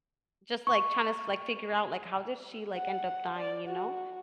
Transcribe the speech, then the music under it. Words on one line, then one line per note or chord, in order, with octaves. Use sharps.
Just, like, trying to s like, figure out, like, how did she, like, end up dying, you know
C#6
F#5
D5
F#4